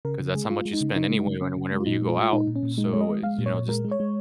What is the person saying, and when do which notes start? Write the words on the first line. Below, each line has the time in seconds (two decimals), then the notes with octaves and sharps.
'Cause that's how much you spend anyway on a whenever you go out. So, eh, you know, just
0.05 C#3 A#4
0.20 C#3
0.35 G#3 G#4
0.50 G#3 F4
0.65 G#3
0.73 D#4
0.81 C#3
0.95 C#3 D#4
1.10 G#3
1.19 D#4
1.26 C#3
1.41 C#3 C#4
1.56 C#3
1.72 G#3
1.80 F4
1.86 A#2 D#4
2.02 G#3
2.09 F4
2.17 G#3
2.22 F4
2.33 A#2 D#4
2.47 A#2
2.56 C#4
2.63 A#2
2.78 G#3 D#4
2.93 G#3 C#5
3.01 D#5
3.08 G#3
3.23 G#3 F5
3.38 A#2
3.46 C#5
3.54 A#2
3.68 G#3 A#4
3.85 G#3
3.91 C#5
4.00 G#3